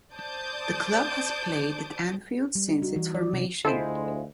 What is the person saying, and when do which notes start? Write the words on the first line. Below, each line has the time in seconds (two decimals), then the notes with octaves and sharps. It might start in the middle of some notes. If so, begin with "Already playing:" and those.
The club has played at Anfield since its formation.
0.13 C5 D5 A5 D6 D#6 G6
2.55 G3
2.68 D#4
2.82 F#4
2.96 E3
3.14 D5
3.33 C3
3.65 D2 G#3 E4 F4 A4 C5